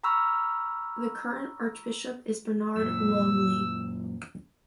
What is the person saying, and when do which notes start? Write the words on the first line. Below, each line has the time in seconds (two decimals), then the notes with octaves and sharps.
The current Archbishop is Bernard Longley.
0.04 A#5 B5 C#6 E6 F6
2.76 F#2 A#2 E6